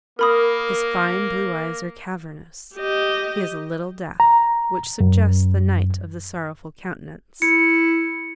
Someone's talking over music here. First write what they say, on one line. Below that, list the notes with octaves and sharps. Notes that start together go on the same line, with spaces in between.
His fine blue eyes are cavernous; he is a little deaf, which suggests the Knight of the Sorrowful Countenance.
A#3 A#4 B5 D#6
G4 D#5
A#5
F#2
E4 C#7